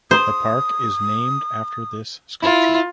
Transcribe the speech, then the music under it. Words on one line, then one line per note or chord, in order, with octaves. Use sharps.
The park is named after this sculpture.
C5 D#6
E4 F4